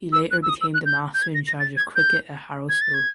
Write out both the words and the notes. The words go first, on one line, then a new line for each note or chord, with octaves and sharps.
He later became the master in charge of cricket at Harrow School.
E6
F#6
E6
D#6
E6
F#6
G6
G6
G#6
A#6
A#6
A6
G#6
G6
G#6
A6
G#6